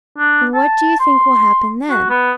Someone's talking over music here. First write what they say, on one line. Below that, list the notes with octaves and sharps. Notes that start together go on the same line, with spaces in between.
And what do you think will happen then?
D4
A5
C6
F#4
B3